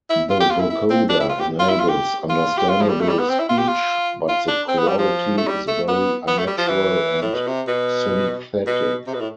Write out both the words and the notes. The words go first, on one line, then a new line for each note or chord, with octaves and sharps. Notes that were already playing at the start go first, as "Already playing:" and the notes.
The vocoder enables understandable speech, but the quality is very unnatural and synthetic.
E4
F4
G4
F4
E4
E4
C4
D4
E4
F4
G4
F4
E4
F4
G4
F4
G4
F4
F3
G3
A3
G3
B3
C4
E4
F4
G4
F4
F4
D4
C4
B3
G3
F3
A3
G3
A3
B3
B3
A3
G3
F3
E3
A2
B2
C3
B2
B2
C3
B2
A2